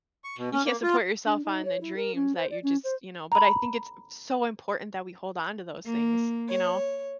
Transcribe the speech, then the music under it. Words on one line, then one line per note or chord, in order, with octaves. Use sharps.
you can't support yourself on the dreams that you're just you know, but I think it's so important that we hold on to those things, you know,
C#6
B2
C#4
A#3
F4
D4
D#4
C#5
E4
A#4
C#4
C5
D5
C#4
C5
A#5 B5
A#3
C#5